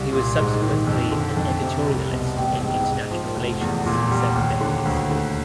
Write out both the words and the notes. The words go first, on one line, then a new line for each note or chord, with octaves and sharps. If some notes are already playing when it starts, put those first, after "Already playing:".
He was subsequently an editorialist in international relations for several decades.
Already playing: C2
A#2
G#2
D#3
F2
D3
F2
C3
C2
B2
A1
G#2
G#2
F3
F1
E2
A#2
G3
D#2
D3
D2
D3